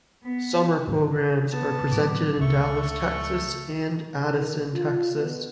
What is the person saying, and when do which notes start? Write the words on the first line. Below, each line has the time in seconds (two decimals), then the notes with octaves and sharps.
Summer programs are presented in Dallas, Texas, and Addison, Texas.
0.23 B3
1.52 B3 A5
1.92 A2 F#3 C4 G4
2.41 C#2 A3 C#6
4.35 D#3
4.74 F4
5.18 B2